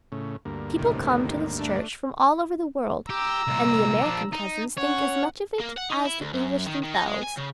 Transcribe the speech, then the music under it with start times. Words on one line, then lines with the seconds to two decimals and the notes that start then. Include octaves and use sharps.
People come to this church from all over the world, and the American cousins think as much of it as the English themselves.
0.12 A2 C#3
0.45 D2 G2 A#3
0.77 A2 C3 D#3
1.57 A3 D4
3.10 G4 A#5 E6
3.48 C2 A#2
4.01 F3 D4
4.33 D#4
4.77 C#4 C#5 F#5
5.60 A#3
5.77 F#5
5.90 D#4
6.05 E4
6.21 D2
6.33 F#2
6.66 D#3
6.83 D#3
6.95 D#4
7.07 G#3
7.23 G#5
7.37 C#3